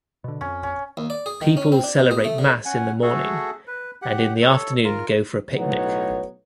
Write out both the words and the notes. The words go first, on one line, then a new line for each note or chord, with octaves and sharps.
People celebrate mass in the morning, and in the afternoon go for a picnic.
B2 D3
F2 C#4
C#4
D#2
D5
G#4
D#3
C#4
C4
D4
B2
G#4
A3
D3
C#4 F#5 G#5
A3 F#4 G#4 A4
B4
G4 F#5
A4 C#5
F4 A#4
B1 A2 D#4 B4 C#5 F#5